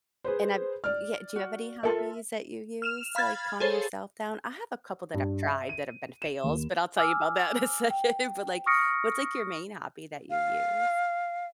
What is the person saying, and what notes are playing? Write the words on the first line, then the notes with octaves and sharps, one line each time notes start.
And I've yeah, do you have any hobbies that you use to, like, calm yourself down? I have a couple that I've tried that have been fails, but I'll tell you about that in a second, but, like, what's, like, your main hobby that you use?
G#4 B4 C5
D5 F6
F#4
F4 A4 A#4 E5
F6 E7 F7
F5 B5 F6 G#6 A6
G#4 A4 C5 C#5 A6
G2
E5
D#7
E7
D#2
G#5 D6 E6 F6
G5
C#6 D#6 F6 A#6 C#7 D7
F5